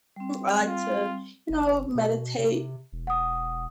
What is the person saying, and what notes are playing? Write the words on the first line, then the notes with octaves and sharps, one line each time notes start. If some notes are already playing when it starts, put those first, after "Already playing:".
I like to, you know, meditate.
G3 C4
F4
F#1
B2
C3
E1
F#5 D#6